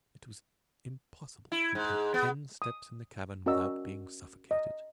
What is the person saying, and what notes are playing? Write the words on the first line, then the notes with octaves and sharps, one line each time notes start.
It was impossible to take ten steps in the cavern without being suffocated.
E4
G#2
B3
D#6
C#4 F#4 A#4 D5 D#5 E6
D#5